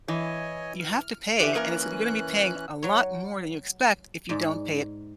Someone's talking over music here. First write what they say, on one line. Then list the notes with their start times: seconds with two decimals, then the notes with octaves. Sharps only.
you have to pay, and it's lee you're gonna be paying a lot more than you expect if you don't pay it
0.08 E3 C#5 D#5 G#5
0.80 F6
1.40 E3 C#4 G4 E5 F#6
1.55 A#3 A#4 A#5
2.83 F#3 C#5
4.29 G#2 D5